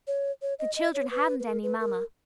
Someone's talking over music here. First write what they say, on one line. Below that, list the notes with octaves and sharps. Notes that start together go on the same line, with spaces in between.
The children hadn't any Mamma.
C#5
C#5
D#5
D#5
C#5
B4
B4
A#4
B4
A#4